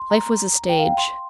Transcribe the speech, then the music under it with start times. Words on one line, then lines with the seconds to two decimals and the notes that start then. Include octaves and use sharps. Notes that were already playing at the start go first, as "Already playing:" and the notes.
Life was a stage.
Already playing: C6
0.10 A#5
0.69 G5
0.79 F5
0.88 G5
0.98 C6